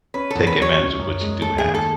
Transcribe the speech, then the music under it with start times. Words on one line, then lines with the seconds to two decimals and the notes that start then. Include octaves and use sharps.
take advantage of what you do have.
0.14 C#4 B4
0.30 E2 A4
0.47 B4
0.57 F#3 C#5
0.78 C#4
0.99 F#2
1.21 G#3
1.42 A3 A4
1.58 G#4
1.64 D#2
1.74 A4